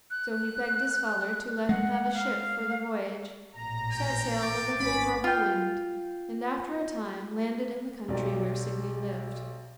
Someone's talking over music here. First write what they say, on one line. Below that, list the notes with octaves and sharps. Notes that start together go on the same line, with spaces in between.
So he begged his father to let him have a ship for the voyage, set sail with a favourable wind, and after a time landed in the country where Signy lived.
F#6
G#3 F#5
F5
A1 A#2 A#5
B3 D5 G5
D6 A6
G#1 C#4 B5
F4 G5
B1 G4 D5 A#5